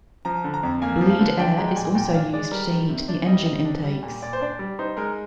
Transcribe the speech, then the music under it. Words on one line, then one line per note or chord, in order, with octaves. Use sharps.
Bleed air is also used to heat the engine intakes.
F3 A#5
D3
A#5
F2
A#3 G#5
F3
F5
D3
D4 G5
G#3 A#5
G5
A#2 G#5
A#2 G5
D4 F5
G#3 D5
G3 A#4
D#3
C3
D4 D5
G3 D#5
D#3 D#5
D4
G3
A#2
A#2 D5
C5
D4 D5
G3
D#4 C5
G#3 A#4